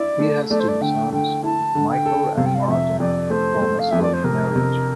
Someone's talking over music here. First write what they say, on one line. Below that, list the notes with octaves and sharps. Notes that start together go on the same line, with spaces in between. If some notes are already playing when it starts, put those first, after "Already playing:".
He has two sons, Michael and Martin, from his first marriage.
Already playing: E4 D5
A3
A3 D5
C5
D5
D3 G5
D3 G5
E4 A5
D3
G5
A4
C3 F5
G5
F5
D5
F2 E5
F2 D5
A3 C5
A3
F5
F2 E5
D5
C5
C3 A#4
C3